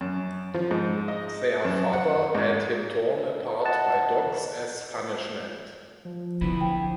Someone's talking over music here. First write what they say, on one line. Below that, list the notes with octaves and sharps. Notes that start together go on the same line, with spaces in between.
Their father had him torn apart by dogs as punishment.
F#2
F3
G#2
D#5
F#2
F#5
G#2
D#5 E5 F#5 A5
F3
D3 B3 E4 B5
F3 G5